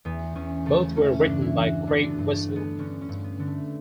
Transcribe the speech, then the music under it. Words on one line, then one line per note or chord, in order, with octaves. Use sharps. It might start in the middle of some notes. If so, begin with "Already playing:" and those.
Both were written by Craig Wessel.
E2 B3
E2 C#4
C#3 A3
E3 C#4
D4
G2
E4
E3
F#4
D3 D4
B3
G2
A3
D3
B3
D3 C#4
C#4
G2
B3
D3
A3